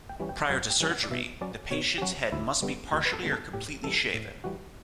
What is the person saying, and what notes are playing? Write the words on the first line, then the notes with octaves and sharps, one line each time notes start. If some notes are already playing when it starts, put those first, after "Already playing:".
Prior to surgery, the patient's head must be partially or completely shaven.
G5
E3 G3 C#4
G5
F#2 F#5
G5
E3 G3 C#4
F#5
D5
B2 E5
F#3 C#4 D5
B2 C#5
G4
F#3 C#4 F#4
D2 E4
D3 G3 B3
D2 F#4
B4
A4
D3 G3 B3
A4
A2 G4
E3 G3 A4
A2
E3 G3 F#4